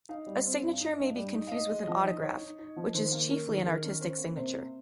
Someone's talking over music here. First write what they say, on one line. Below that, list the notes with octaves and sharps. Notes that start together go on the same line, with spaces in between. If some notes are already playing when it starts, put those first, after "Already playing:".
A signature may be confused with an autograph, which is chiefly an artistic signature.
D#4 F5
G3
C4
G2
D#4
G2
G3
D#4
F5
D#4 D#5
G#3
F3
D#4
D#4 C#5
D#4
D#4
F3
D#3 C5
A#3
C#4 A#4
D#3
G#4
D#3 A#4
C#4
C#4 C5
A#3
C3 C5
C4